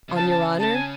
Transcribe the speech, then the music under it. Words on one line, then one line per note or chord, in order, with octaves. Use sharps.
"On your honor?"
C3
C#3 A5
A5
C#3 A5
G#5